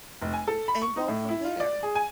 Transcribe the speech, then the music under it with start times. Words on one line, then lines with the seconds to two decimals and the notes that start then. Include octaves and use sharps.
And go from there.
0.22 F1
0.33 G#5
0.48 A4
0.68 B5
0.82 C#6
0.96 D#4
1.08 A2
1.29 E4
1.44 F4
1.60 D5
1.83 G#4
1.95 G#5